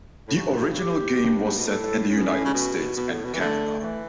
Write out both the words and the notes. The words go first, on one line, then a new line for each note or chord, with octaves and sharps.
The original game was set in the United States and Canada.
A2
G2 F#4
G4
G2
G2
B2
A2 A4
A2 C#4
B2
A2
C#3
B2
B2 B3
A2
B2
E3
D3 A3
D3
E3